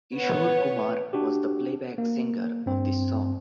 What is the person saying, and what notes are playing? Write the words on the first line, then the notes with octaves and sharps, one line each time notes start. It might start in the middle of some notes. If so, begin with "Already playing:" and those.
Kishore Kumar was the playback singer of this song.
B3 C#5
D4 F#4 G4
A#3
G2 C4